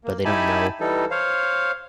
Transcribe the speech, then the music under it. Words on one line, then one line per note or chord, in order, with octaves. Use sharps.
but they don't know,
A#3
D#4 E4 G4 G#5 A5 B5
E3 G3 D#4 A4
C5 C#5 F5